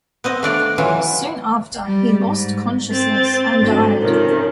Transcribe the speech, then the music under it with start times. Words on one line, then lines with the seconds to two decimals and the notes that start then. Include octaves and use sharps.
Soon after, he lost consciousness and died.
0.24 B3 C4 D#5
0.43 A3 D4 D5 F5
0.78 E3 F#3 F4
1.84 G3
2.26 G#2
2.91 C4 A6
3.61 G#2 D3 F#3 C4
4.01 C3 D#3 F3 C#4